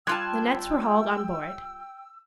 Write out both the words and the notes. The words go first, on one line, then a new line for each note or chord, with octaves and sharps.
The nets were hauled on board.
G3 F4 G5 A5 C6 E6 F#6 G#6